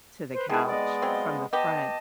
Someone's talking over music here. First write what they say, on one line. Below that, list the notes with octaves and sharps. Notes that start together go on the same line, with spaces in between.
to the couch from the front.
B4 C5
C3 D#3 G#3 B3 E4 G#4 A5
D5 D#5
F#3 C4 F4
B3 G4 D#5 A5